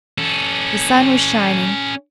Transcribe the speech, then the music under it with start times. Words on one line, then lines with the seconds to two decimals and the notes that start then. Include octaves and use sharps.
The sun was shining.
0.18 C#4 A4